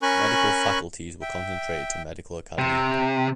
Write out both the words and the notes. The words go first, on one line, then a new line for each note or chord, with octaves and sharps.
Medical faculties were concentrated to Medical Academy.
C#4 A#4 G#5 B5 C#6 F#6
E5 G5
C3